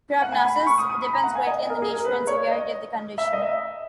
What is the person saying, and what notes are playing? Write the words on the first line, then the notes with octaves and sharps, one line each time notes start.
Prognosis depends greatly on the nature and severity of the condition.
F#5
G#5
B5
B5
C#6
D#6
D#6
B5
A#5
F#5
G#5
D#5
D#5
A#4
G#4
A#4
B4
C#5
D#5
E5
D#5
E5